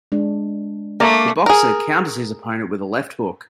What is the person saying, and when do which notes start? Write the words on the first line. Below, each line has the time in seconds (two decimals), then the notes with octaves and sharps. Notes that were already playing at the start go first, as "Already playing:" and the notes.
The boxer counters his opponent with a left hook.
0.12 G#3 D4
1.00 A3 A#3 D5
1.46 G#4 A#4